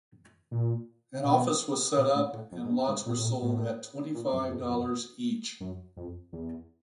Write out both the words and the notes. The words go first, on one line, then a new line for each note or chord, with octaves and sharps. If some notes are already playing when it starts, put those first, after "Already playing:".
An office was set up and lots were sold at twenty-five dollars each.
A#2
B2
B2
A2
A2
F2
G#2
G2
G#2
A#2
A2
A#2
A2
A#2
F#2
F2
F2
F#2
F2
E2